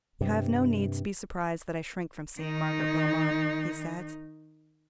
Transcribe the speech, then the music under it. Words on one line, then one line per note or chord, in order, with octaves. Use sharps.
"You have no need to be surprised that I shrink from seeing Margaret Wilmot," he said.
G2 C3
D#3 D#4